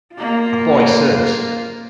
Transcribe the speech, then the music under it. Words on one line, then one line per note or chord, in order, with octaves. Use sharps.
A boy surfs.
A#3 F4